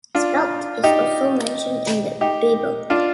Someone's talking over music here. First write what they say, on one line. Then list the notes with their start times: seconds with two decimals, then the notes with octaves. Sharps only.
Spelt is also mentioned in the Bible.
0.15 D4 F4
0.84 D#4 G4
2.21 D#4 G4
2.90 D4 F4